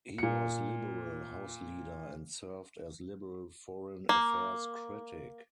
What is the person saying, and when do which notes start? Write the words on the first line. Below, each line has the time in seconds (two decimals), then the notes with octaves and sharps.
He was Liberal House Leader and served as Liberal Foreign affairs Critic.
0.18 A#2 C#7
4.09 A#3